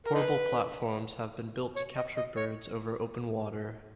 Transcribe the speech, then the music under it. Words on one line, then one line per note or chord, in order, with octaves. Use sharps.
Portable platforms have been built to capture birds over open water.
A#4
D#4 B4
C#5
D#5
D#5
C#5